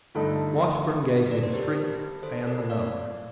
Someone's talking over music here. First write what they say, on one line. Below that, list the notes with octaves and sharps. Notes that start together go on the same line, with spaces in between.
Washburn gave me the street and number.
G2 D3 A3 D#4 F4 A4
D5
C5
G4 A#4
A4 C5
A#4 D5
D5 F5